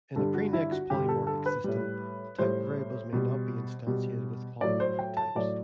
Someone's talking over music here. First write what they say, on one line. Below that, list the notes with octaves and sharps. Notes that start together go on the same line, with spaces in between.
In a "prenex polymorphic" system, type variables may not be instantiated with polymorphic types.
G2 D3 G3 A4
F#4
E4
F#4
G2 D3 G3 G4
A4
A4
B4
A2 G3
A2 G3 C5
B2 G3
B2 G3
A2 F#3 D5
C5
G5
A5
A2 F#3 D5